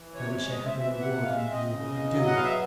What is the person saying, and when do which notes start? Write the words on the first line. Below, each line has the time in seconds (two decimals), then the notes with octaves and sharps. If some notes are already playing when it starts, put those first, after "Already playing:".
'I wish I had the rewarding of you--I do.'
Already playing: E3
0.15 C3 C#5
0.37 G#3 C#5
0.51 D#5
0.59 C4
0.66 E5
0.80 E3 E5
1.01 C3 F#5
1.23 G#3 F5
1.37 E5
1.45 C4
1.52 D#5
1.66 C#3
1.88 E2
2.10 F#3
2.26 F#5
2.32 B3 F5
2.44 E5